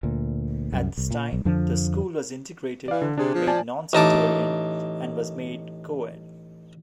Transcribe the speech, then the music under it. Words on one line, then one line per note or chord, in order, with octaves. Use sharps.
At this time, the school was integrated, made non-sectarian, and was made co-ed.
D2 A#2
C2 F#2
C2
A#2
B1
F2 D3 F3 D4
E3 D5 F5
D3
C3 D4 G#4
F3
D5 G#5 A5
A1 D#4 A5 D6